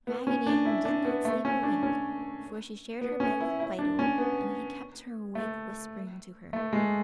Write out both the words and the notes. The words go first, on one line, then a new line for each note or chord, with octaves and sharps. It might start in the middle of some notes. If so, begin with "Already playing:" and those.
Raggedy Ann did not sleep a wink, for she shared her bed with Fido and he kept her awake whispering to her.
B3
C#4
D4
E4
D4
B3
A3
C#4
D4
C#4
B3
C#4
E4
E4
D4
C#4
B3
A3
A3
G#3